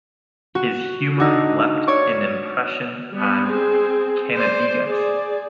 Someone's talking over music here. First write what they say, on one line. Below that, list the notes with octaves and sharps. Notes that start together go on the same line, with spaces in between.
His humor left an impression on Kannadigas.
F#4
D4 D#4 F#4
C#5 D5 C#6
G3 B3
C4 G#4
C5 D5
G#4 D5